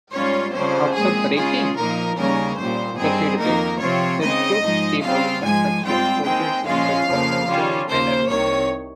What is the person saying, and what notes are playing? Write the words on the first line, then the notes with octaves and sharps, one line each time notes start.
After "breaking" the feed-back, the truth table construction proceeds in the conventional manner.
G#2 G3 C#4 F4 C#5
F2 C#3 G3 C#4 C5
A#2 G#3 C4 G#4
C#3 G#3 C#4 F4 G#4
A#2 F3 A#3 D#4 A#4
D#2 C#3 G3 C#4 A#4
C2 A#2 G3 C5
G2 G3 C4 D#4 G#4
F2 D#3 A#3 D#4 A#4
C3 F3 C4 F4 C#5
C#3 G#3 C4 D#4 D#5
G#2 F3 G#3 D#4
C#3 G3 C4 F4 F5
G#2 F3 G#3 G#5
G#2 G3 C4 F4 G5
D#2 D#3 G#3 C4 G5
A#2 F3 G#3 C#4 F4 F5
F2 C#3 F3 A#3
C#3 G3 C#4 F4
D#2 C#3 F3 A#3 C5
C2 C3 D#3 C#5